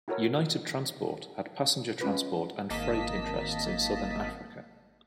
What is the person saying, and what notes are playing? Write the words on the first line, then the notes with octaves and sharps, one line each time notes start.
United Transport had passenger transport and freight interests in southern Africa.
E4 F#4 A4 A#4 C#5
G#3 C#4 F4 B4
G#1 A#3 D#5 A5 B6